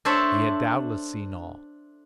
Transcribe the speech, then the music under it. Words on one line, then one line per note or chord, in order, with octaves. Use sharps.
He had doubtless seen all.
D4 A4 C5 C#5 E5